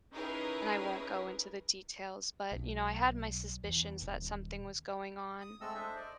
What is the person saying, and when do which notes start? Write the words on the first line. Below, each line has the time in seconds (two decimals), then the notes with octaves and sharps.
and I won't go into the details, but, you know, I had my suspicions that something was going on,
0.13 C#4 D#4 E4 G#4 A#4 B4
2.52 B1
3.64 E2
4.02 D#1
5.41 D#6
5.61 G#3 A3 C4 A4 D#5 E6
5.75 D4 A4 C5 D#5 E5
5.96 D5 D#5